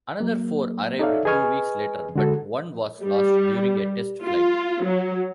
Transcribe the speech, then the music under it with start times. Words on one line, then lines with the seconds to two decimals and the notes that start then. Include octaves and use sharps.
Another four arrived two weeks later, but one was lost during a test-flight.
0.20 F#3 A#3
0.99 D#4 A4 C#5 D5 E5 F5
1.25 G#4 B4 D#5 G#5 C#6 F6
2.16 D3 G#3 F#4 A4
3.04 G3
4.24 F4
4.83 F#3